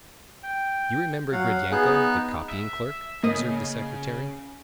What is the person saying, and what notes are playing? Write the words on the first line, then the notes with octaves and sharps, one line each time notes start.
"You remember Gridyenko, the copying-clerk," observed the secretary.
G5
F#3 F5 F#5
B3 D#4 G#4 F#6
E5
C#3 A#3 D#5 D#6